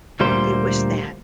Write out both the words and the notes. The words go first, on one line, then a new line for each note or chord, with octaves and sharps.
it was that
D2 A#2 G3 A#3 C5